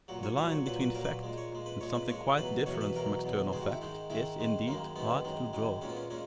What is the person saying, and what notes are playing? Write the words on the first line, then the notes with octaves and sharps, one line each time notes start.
The line between fact and something quite different from external fact is, indeed, hard to draw.
A#2 F#3 F#4
C#5
A#2 F#3 B4
C#5
A#2 F#3 B4
B4
A#2 F#3 A#4
B4
A#2 G#3
C#5
A#2 G#3
B4
A#2 G#3 C#5
B4
A#2 G#3 C#5
E2 B2 F#3 B4
E2 B2 F#3 C#5
B4
E2 B2 F#3 A#4
E2 B2 F#3
G#2 D#3 G#3 G#4
F#4
E4
G#2 D#3 G#3 D#4
G#2 D#3 G#3 E4
G#2 D#3 G#3
F#2 D#3 G#3 A#3
F#2 D#3 G#3 B3
F#2 D#3 G#3
F#2 D#3 G#3
A#2 G#3 C#4
B3
C#4
A#2 G#3 C#4